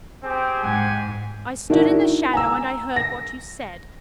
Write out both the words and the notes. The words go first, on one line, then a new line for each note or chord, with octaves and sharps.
I stood in the shadow, and I heard what you said.
C4 G4 G#4
G#2 G4 F#5 G#5
D#3 D4 E4 F#4
G#5 A#5 E6
A#6